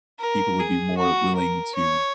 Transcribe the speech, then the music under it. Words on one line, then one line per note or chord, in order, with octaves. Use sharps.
people would be more willing to,
A#4
G#4
F#4
A#4
C#5